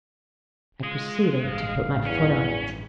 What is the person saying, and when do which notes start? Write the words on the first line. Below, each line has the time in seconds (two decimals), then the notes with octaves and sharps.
I proceeded to put my foot on it.
0.83 G#3 F4
1.44 A1 G2 F5
2.06 E2 C#4